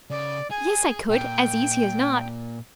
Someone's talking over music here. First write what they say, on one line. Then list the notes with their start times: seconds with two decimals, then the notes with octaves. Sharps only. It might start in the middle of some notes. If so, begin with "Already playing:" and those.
"Yes, I could, as easy as not."
0.10 C#3 D5
0.51 G#4 G#5
1.10 A#2 G5